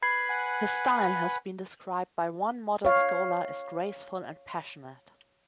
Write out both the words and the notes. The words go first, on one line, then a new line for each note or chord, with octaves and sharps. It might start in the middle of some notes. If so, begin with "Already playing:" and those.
His style has been described by one modern scholar as graceful and passionate.
B4 B5 G#6 C7
F#5 G#5
C#5 F5